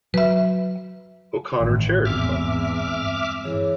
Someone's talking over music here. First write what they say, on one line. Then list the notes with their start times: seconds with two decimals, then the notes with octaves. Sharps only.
O'Connor charity fund.
0.14 F#3 B4 E5
1.60 A1 G2 D#3
2.05 E2 G#2 G#3 C4 E5 D6 E6 F6
2.39 G#2
3.03 G2
3.44 E3 E4 G#4 C#5